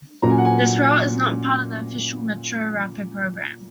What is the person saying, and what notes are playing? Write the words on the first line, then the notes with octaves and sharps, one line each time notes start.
This route is not part of the official Metro Rapid program.
A#2 F#3 C#4 A#5
G#5
F#5
G#5